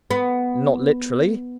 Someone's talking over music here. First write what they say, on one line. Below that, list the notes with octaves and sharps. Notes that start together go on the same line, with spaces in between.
"Not literally."
B3